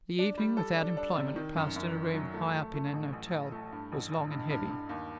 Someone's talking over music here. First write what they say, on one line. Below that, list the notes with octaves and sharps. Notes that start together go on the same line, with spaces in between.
The evening, without employment, passed in a room high up in an hotel, was long and heavy.
D4
G3
A4
D4
D4
C3
D#3
F#2
F#2
D#3
F#3
A3
A3
A3
A1
A1
A1
A3
G2
A1
A1
G2
G2
G2
D#2